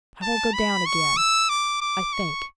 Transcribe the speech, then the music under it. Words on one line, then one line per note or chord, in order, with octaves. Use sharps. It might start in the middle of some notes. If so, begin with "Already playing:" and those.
I will go down again, I think!
A5
B5
C#6
E6
D6
D6
C#6